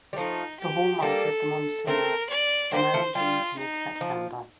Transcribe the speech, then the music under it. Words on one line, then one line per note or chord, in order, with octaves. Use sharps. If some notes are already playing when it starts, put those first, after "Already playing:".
The hallmark is the Monsoon - from early June to mid September.
G3
F3 A3 D#4
G4
G3 A#3 A4
A3 C4 A#4
D5
G3 A#3 C5
F3 A3
G3 F4
D#4
F3